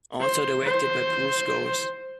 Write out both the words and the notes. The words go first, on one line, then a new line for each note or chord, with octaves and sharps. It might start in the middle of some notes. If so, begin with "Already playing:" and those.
Also directed by Bruce Gowers.
C5
C5